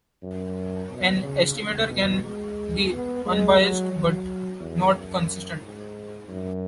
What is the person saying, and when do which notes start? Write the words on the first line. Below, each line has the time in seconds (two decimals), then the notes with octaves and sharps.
An estimator can be unbiased but not consistent.
0.23 F#2
0.90 B2
1.23 C#3
1.56 C#3
1.90 B2
2.24 G#3
2.92 B3
3.25 G#3
3.58 F#3
3.92 F#3
4.60 E2
4.94 F#2
5.61 G#2
6.28 F#2